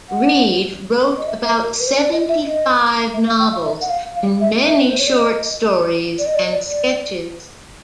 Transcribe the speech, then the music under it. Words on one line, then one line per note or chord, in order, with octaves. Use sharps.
Reid wrote about seventy-five novels, and many short stories and sketches.
F#5
D#5
E5
E5
A#4
B4
C5
D5
D#5
E5
D#5
E5
F5
G5
F5
E5
F#5
F5
F5
E5
E5
B4
C5
C#5
D5
D#5
D5
D#5
D5
D#5
D5
D5